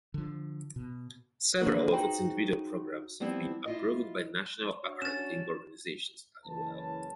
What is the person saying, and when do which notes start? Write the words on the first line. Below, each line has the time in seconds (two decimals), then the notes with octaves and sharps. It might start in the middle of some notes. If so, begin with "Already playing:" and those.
Several of its individual programs have been approved by national accrediting organizations as well.
0.14 D3 F3
0.76 B2
1.61 D3 A#3 A#4 B4
1.93 D#4 F#4 G#4 C5 G5
3.20 F3 G3 B3 C4 E4
3.66 E4 F4 D#5
4.82 D4 F#4 C#5
5.02 C#4 A6 E7
6.45 F#1 E3 C#4 B4 A5